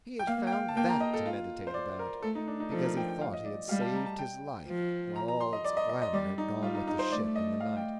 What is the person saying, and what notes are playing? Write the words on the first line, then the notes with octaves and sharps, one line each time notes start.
He had found that to meditate about because he thought he had saved his life, while all its glamour had gone with the ship in the night.
G5
A#3 F5
G5
F5
A5
A#3 G5
A#5
D#5
A4
F4
C5
D5
A#4
A3 A4
D#4
D4
D#4
F3 A4
A#4
G5
G5
F5
D#5
D5
G3 F5
A5
A#5
A5
G5
F3
A#5
A#5
C6
D#5
D5
D#5
D#5
D#5
G3 D5
D#4
G3 F4
D#4
D#4
C5
A3 D5
D#5
F5
G5